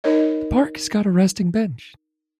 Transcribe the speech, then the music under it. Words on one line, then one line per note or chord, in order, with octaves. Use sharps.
The park has got a resting bench.
D#4 A#4 C#5 D#5